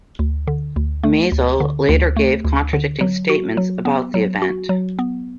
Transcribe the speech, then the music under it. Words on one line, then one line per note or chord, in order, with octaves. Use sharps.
Mazel later gave contradicting statements about the event.
D2
D3
D2
A3
D2
D3
D2
A3
D2
D3
F#3
F#4
F#3
B3
F#3
F#4
F#3
B3